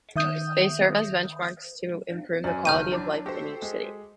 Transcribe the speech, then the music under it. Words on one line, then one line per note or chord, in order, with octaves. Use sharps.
They serve as benchmarks to improve the quality of life in each city.
D#3 E5 D#6 G6
F#2 C#4 D5 G#5
F#1 D#3 G4 F6 G6 D#7
F#2 D4 E4 D6
F#4 G4 A4 C5
G#3